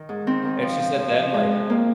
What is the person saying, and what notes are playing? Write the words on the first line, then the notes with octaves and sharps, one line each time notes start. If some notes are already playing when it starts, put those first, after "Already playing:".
And she said then, like,
Already playing: D#3
G#2
D#3 C4
D#3
F3
F3
F3
F3
F2 G#3
F2
A#3